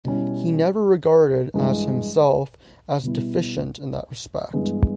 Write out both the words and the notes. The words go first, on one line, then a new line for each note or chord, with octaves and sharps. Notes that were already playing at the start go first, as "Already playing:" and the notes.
He never regarded as himself as deficient in that respect.
B2 G3 C#4 E4
G2 E3 G#3
B2 G3 B3 E4
G2 E3 G#3 B3